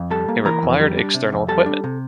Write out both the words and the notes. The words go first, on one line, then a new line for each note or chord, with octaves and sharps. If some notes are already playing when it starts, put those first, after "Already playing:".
It required external equipment.
Already playing: F2
G3 A4 A5
A#3
E3 A#4 A#5
F2
G3
D4
C3
F2
G3 A4 A5
D4
C3